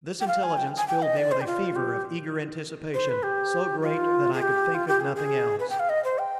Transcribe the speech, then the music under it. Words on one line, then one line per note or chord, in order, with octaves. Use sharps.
This intelligence filled me with a fever of eager anticipation, so great that I could think of nothing else.
G5
F5
G#5
G5
G#5
G5
D#5
D5
C5
G4
F4
G4
C5
B4
G4
F4
G#4
G4
F4
G4
G#4
G#4
B4
G5
F5
D#5
C5
G5